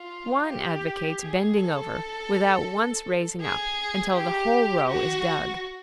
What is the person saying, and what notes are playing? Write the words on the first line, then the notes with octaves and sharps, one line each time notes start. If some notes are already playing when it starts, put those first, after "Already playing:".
One advocates bending over, without once raising up, until the whole row is dug.
Already playing: F4
G4
G#4
A4
G#4
G4
F#4